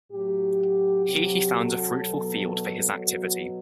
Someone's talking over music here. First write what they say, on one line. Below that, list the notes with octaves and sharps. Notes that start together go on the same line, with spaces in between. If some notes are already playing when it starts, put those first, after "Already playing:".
Here he found a fruitful field for his activity.
A2 F#3 G4
C3 F#3 G4
A4
B2 F#3
B2 F#3 F#4